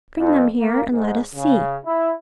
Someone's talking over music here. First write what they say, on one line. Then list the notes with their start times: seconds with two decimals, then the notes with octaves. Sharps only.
Bring them here, and let us see.
0.18 F2
0.60 A#3
0.91 G#2
1.34 C#3
1.85 E4